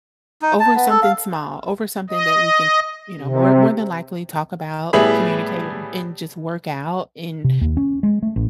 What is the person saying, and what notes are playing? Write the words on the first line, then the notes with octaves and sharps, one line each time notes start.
Over something small, over something that we can, you know, more more than likely talk about, communicate, and just work out, and
D#4
A5
B3
A4
F5
D#5
C3
A2 G3 B3 G#4 E5 B5
C3
D#2
C#4
G#3
A3
A1